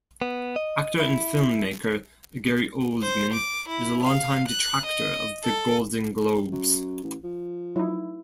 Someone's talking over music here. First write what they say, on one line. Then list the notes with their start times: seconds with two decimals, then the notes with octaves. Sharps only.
Actor and filmmaker Gary Oldman is a longtime detractor of the Golden Globes.
0.22 B3
0.56 D#5
1.00 E4
3.02 C5
3.33 D6
3.69 E4
4.03 F5
4.48 F#6
4.86 D#5
5.44 A4
6.52 F#2
7.03 A1
7.24 F3
7.76 F#3 D#4 E4